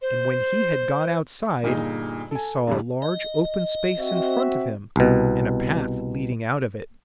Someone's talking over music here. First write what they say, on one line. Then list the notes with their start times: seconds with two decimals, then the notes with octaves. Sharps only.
And when he had got outside, he saw a large open space in front of him, and a path leading out of it.
0.02 C5
1.63 G1 A#2 D#4 G#4 D#5
2.31 A4 G#5
2.67 C2 G2 D3
3.02 D#5
3.99 C4 F#4 E5
4.96 C2 B2